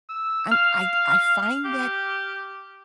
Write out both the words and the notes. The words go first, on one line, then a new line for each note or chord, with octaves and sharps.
I'm I'd I find that,
E6
F5 F6
G4